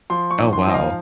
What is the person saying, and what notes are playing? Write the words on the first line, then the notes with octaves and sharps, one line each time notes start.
Oh, wow.
F3 C6
C#6
G#2
C6
F3 D#5
F5